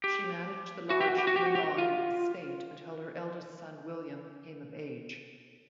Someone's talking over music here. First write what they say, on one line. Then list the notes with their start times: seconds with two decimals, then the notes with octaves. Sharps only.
She managed the large Neylon estate until her eldest son William came of age.
0.04 G4
0.90 F#4
1.01 G4
1.09 F#4
1.18 G4
1.27 F#4
1.36 G4
1.46 F#4
1.55 G4
1.63 F#4
1.78 F4